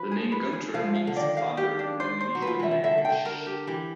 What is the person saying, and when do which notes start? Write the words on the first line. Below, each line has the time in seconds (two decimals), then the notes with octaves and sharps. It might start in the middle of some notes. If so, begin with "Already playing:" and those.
The name Guntur means "thunder" in the Indonesian language.
Already playing: F3 B4
0.11 G#4
0.32 B4
0.53 G#4
0.74 F3 F5
0.95 F5
1.07 D3
1.16 D#3 D5
1.37 F5
1.57 G4
1.79 D4
2.00 C5
2.21 C5
2.35 F#3
2.42 B4
2.47 F3
2.59 E3 E5
2.71 D#3
2.84 D3 E5
2.98 D3
3.05 G5
3.12 D3
3.25 A#4
3.46 G4
3.67 E3 G4